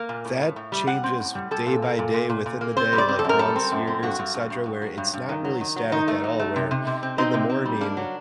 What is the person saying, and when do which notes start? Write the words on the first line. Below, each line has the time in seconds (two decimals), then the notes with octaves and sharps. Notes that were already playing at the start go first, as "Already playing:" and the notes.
that changes day by day, within the day, like, months, years, etcetera, where it's not really static at all, where in the morning,
Already playing: A#3
0.09 A#2
0.25 A2
0.41 A2
0.56 A2
0.72 G3
0.87 G3 F#5
1.04 C4
1.20 A2
1.35 G3
1.51 G3 A4
1.66 A#2
1.82 A#3
1.99 A#2
2.14 A#2
2.30 A#2
2.46 A#2
2.61 A#3
2.77 C4 C5
2.93 G3
2.98 D5
3.09 C4
3.19 A4
3.24 F#2 A#4
3.39 G3 A4
3.56 C4
3.71 F#2
3.87 C4
4.03 G2 F#4
4.19 G2
4.34 G2
4.50 G2
4.66 G2
4.82 F#3
4.98 G2
5.13 G2
5.29 D#3
5.45 F#3
5.61 D#3
5.76 F#3
5.92 D#3 D#4
6.08 A3
6.24 F#3
6.40 A3
6.56 C3
6.71 C3
6.87 C3
7.03 C4
7.18 C4 D#4
7.34 C3
7.49 C4
7.65 G3
7.81 A#3 D4
7.97 F#3